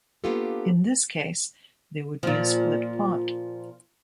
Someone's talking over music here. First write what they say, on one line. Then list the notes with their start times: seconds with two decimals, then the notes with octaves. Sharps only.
In this case, there would be a split pot.
0.24 A#3 B3 D4 F4 G4 A4
2.23 A#2 F3